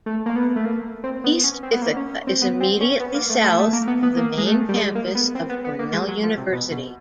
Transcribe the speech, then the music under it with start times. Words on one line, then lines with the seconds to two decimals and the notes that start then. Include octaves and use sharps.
East Ithaca is immediately south of the main campus of Cornell University.
0.06 A3
0.26 A#3
0.36 B3
0.56 A3
0.65 A#3
1.04 C4
1.24 B3
1.44 C#4
1.63 C4
1.72 B3
1.82 A#3
1.97 C#4
2.27 C4
2.42 B3
2.60 C4
2.81 C#4
3.00 B3
3.14 A#3
3.30 A3
3.44 A3
3.59 A3
3.73 A#3
3.87 B3
4.03 B3
4.17 A#3
4.37 G#3
4.47 A3
4.69 G3
4.76 G#3
4.95 A#3
5.15 B3
5.35 C4
5.49 B3
5.64 B3
5.79 A#3
5.93 G#3
6.08 F#3
6.23 F3
6.38 C3
6.52 B2
6.72 B2